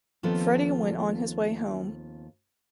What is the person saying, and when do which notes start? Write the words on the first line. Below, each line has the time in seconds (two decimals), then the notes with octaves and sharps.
Freddie went on his way home.
0.23 D#2 F3 B3 C4 A4